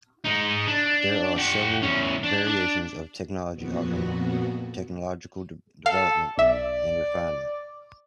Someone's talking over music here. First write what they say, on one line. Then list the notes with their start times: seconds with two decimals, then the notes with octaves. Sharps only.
There are several variations of the technology offering technological development and refinement.
0.24 G#3 D#4
0.67 D4
1.38 G4 F#5
1.82 E2 C#4
2.24 D4
2.48 D4
3.52 F2 A#2 B3 F#4
5.86 A4 F5
6.38 B1 D5 E5